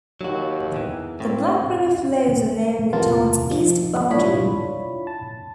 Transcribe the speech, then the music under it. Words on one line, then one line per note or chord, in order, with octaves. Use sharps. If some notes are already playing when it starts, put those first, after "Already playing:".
The Black River flows along the town's east boundary.
D#2 F#3 F#4
E2 E3
A2 C4
E2 C3 A#3 B3 F4 A5
F3
D4 E4 F4 C#5 B5
A5